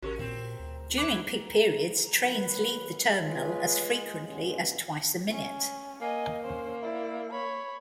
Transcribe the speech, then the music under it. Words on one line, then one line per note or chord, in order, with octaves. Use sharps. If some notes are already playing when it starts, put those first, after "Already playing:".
During peak periods, trains leave the terminal as frequently as twice a minute.
A1 C#3 C#4 F#4 G4 A#4
A#2 C4
D2
E3 E4 B4 D6
D#3 F#3 B4
G#3 F4 B4 C#5
G2 B2 C#4
C#4
A#3 D#5 G#5
C#4 C5
E4 D5
C#5 B5